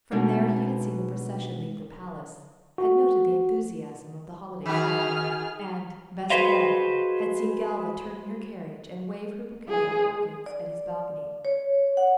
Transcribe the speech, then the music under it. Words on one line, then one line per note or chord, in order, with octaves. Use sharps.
From there he had seen the procession leave the palace, had noted the enthusiasm of the holiday crowd, and, best of all, had seen Galva turn in her carriage and wave her bouquet of orchids at his balcony.
B2 G#3 D4 D#4
F#4
D#3 F#4 G#4 F6
F#4 G#4 B4 C5 D#5 F5
G#4
D5
C#5
F#5